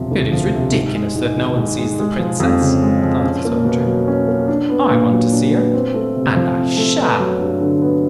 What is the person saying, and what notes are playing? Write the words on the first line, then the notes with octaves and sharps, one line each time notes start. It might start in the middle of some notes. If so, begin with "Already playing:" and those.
"It is ridiculous that no one sees the Princess," thought the soldier. "I want to see her, and I shall."
Already playing: E1 C3 F3
D2
F3
C3
G#2
G#3
G#2
D#3
G#2
G#3
G#3
F3
F2
C#3
G#3
F3
C#4
A#3
B2
F#3
C#4
A#3
D4
B3
A#2
F#3
D4
B3
C4
A3
C3
F3
C4
A3
B3
F#3
G2
D3
B3